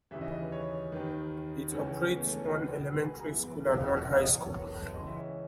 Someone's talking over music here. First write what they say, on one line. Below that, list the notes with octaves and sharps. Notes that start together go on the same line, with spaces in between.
It operates one elementary school and one high school.
D#2 C#3 E3 E5
D#5
D#5
B4
C#5
D#2 D#3 B4
C#2 C#3 E3 C#4
B3
A3
C#4
B3
C#2 B2 B4
B4
G#4
F#4
E4
F#2 E3 B3
B3
A3
B3
C#4
C#4
E2
B2
C#5
B4
A4
B4
C#2 C#3 E3 D#5
E5
C#5